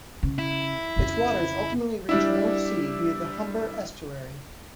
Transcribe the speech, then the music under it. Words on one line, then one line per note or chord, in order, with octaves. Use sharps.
Its waters ultimately reach the North Sea via the Humber Estuary.
C#3
E4
F2 C#3
G3 D4 E4